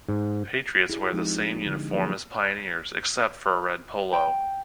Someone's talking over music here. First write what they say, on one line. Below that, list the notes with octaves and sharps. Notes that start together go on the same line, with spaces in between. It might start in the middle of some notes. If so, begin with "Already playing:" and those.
Patriots wear the same uniform as Pioneers, except for a red polo.
G#2
E4 G4 G#4
F3 G#3 C4 D#4
D3
F3 F#3 A#3 F#4 G#4
G5